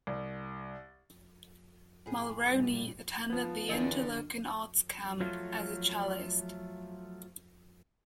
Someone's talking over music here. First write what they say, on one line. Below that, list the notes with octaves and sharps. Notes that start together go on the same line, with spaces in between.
Mulroney attended the Interlochen Arts Camp as a cellist.
C2
A2 G#4
A#2 G3
F3 B3
E2 D3 D4 A#4 D#5
F3 F#3 A3 F4